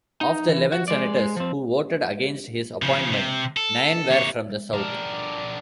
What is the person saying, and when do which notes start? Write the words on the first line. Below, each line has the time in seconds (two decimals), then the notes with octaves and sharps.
Of the eleven senators who voted against his appointment, nine were from the South.
0.21 D#4
0.49 E3
0.72 F#4
0.88 G#3 D5
1.16 G#3
1.37 F3 C4
2.82 C#3 F3
3.12 C3
3.57 A4
4.11 A#3 C#5
4.73 D4 A#4